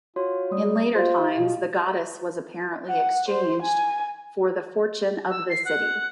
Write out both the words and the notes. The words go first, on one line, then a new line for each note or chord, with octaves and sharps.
In later times, the goddess was apparently exchanged for the Fortune of the City.
F4 F#4 C#5 C6
G3 A3 D#6
F4 G4 C5 F5
B2 F4
F#5
C5
G#5
E6
C7
F#5